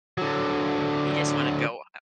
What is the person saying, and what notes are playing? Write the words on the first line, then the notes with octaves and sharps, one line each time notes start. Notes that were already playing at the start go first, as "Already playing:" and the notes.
You just wanna go, uh,
D3 F#3